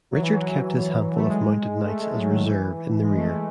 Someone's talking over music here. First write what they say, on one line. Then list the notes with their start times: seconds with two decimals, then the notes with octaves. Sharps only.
Richard kept his handful of mounted knights as a reserve in the rear.
0.11 F#3
0.21 E3
0.32 F#3
1.15 A3
1.27 G#3
1.85 A3
2.00 G#3
2.13 F#3
2.28 D#3
2.43 E3
3.01 G#3
3.16 A3
3.29 G#3